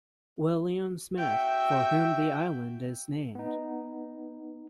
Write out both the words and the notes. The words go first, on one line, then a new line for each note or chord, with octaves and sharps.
William Smith, for whom the island is named.
F#4 E5 G5
B3 D#4